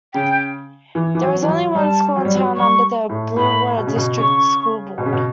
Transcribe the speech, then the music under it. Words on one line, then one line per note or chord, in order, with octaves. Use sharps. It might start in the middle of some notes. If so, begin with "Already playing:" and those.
There is only one school in town under the Bluewater District School Board.
C#3 G5
E3
E3
F#3
E3
F#3
G3 A5
F#3
G3
F#3
G3 C#6
A2
A2 B5
B2
C#3
B2
C#3 C#6
B2
C#3
B2